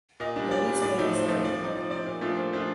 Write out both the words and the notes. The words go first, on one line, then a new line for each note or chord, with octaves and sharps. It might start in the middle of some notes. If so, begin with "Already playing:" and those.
Verdi's famous Aida.
A#2 D#5
G3 D4
A#2 D5
G3 D4
A2 D5
F3 A3 D#4
A2 C5
F3 A3 D#4
F3 D5
C4 D#4
F3 D5
C4 D#4 D5
A#2
F3 A3 D4 F4
A#2 C5
F3 A3 D4 F4